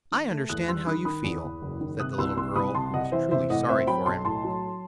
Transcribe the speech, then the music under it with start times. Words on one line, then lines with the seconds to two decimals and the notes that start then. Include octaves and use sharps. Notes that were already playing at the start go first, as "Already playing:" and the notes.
"I understand how you feel," said the little girl, who was truly sorry for him.
0.11 D#3
0.31 A3
0.49 E2 D#6 F#6
0.68 G3 C6 E6
0.87 D#3 B5 D#6
1.05 D#3 B5 D#6
1.24 E2
1.44 E2
1.62 F#1
1.81 D#3
1.99 C3 D#6 F#6
2.18 C2 C6 E6
2.37 C2 C6 E6
2.56 C2 B5 D#6
2.75 C3 A5 C6
2.94 C3 D#5 F#5
3.12 E3 C5 E5
3.31 C3 C5 E5
3.50 A2 D#5 F#5
3.69 C4 C5 E5
3.87 F#3 G5 B5
4.06 B1 A5 C6
4.25 A2 A5 C6
4.44 F#3